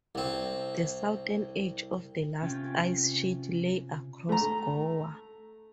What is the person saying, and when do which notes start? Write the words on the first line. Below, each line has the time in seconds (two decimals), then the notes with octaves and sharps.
The southern edge of the last ice sheet lay across Gower.
0.15 C2 C4
2.42 C3 C#4 F4 G5
4.29 A3 A#5